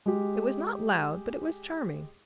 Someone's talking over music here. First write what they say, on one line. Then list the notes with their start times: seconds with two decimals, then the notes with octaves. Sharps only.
It was not loud, but it was charming.
0.06 G#3 G4